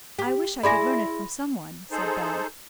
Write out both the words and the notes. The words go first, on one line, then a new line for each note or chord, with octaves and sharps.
"I wish I could learn it from some one," said Bell.
G4
E4 G#4 D5 B5 C6 A#6
D#4 G#4 A4 C5